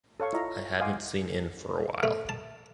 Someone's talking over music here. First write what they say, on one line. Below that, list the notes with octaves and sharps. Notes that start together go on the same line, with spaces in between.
I hadn’t seen in for a while.
A4 C#5 F5 C#6
E4 F4 D#5 E5 A#5
D#5 F5 F#5 G#5 C6 D6
A3
A5